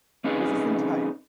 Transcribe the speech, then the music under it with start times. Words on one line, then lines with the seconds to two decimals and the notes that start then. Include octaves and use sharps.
This isn't hype.
0.24 C4 C#4 D#4 G#4 B4